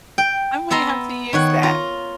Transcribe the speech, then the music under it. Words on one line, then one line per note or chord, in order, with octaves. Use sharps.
I might have to use that.
G5
B3 E5 A#5 C6
D#3 C#5 F#5
F4 A#5